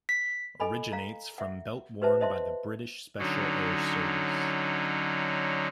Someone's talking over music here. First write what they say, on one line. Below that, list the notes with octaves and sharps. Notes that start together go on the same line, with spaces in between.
Originates from belt worn by the British Special Air Service.
B6
A4 D#5 G#5 B5
F5 A#5
E5 F#5
G4 B4 C5 E5 A5
C5 D#5 E5 A5 C6
D3 F#3 C#4 D#4